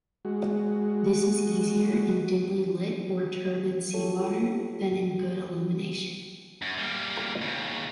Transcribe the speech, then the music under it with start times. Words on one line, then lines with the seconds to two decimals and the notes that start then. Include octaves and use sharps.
This is easier in dimly-lit or turbid seawater than in good illumination.
0.25 G#3 F#4
3.94 F4 G4 A4 C#5
6.62 F#2
6.78 G3 A#3
7.41 D#2 C#3